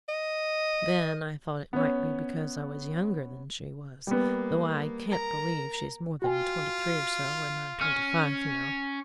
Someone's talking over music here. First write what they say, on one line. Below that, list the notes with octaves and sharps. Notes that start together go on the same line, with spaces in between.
Then I thought it might be because I was younger than she was, though I can't believe she is more than twenty-three or so, and I'm twenty-five, you know.
D#5
B3 C#4
G3 A#3 B3
A#4 A#5
F4 F#4 G5 G#5
C#4 F6